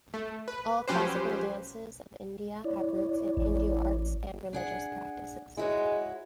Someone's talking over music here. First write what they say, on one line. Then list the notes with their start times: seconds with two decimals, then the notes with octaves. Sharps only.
All classical dances of India have roots in Hindu arts and religious practices.
0.14 A3
0.48 B4
0.88 F3 F#3 C#4 G4 B4 C5
2.64 E4 C#5 D5
3.37 A1
4.53 D4 G#4 F#5
5.57 G#3 E4 F#4 C#5